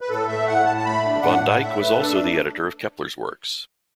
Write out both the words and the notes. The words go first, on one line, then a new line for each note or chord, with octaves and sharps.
Von Dyck was also the editor of Kepler's works.
B4
A2 A4
A3 E5
A2 F#5
A2 A5
A5
A3 B5
D4
A2 F#5
A3
A2 E5
A3 B4
D4 A4